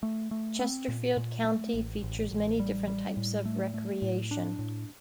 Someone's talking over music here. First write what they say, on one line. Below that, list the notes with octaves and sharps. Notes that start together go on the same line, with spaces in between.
Chesterfield County features many different types of recreation.
A3
A3
C4
A#2
A#2
A3
A1
A1
A1
G3
G3
A2
A3
A3
A2
D4
A2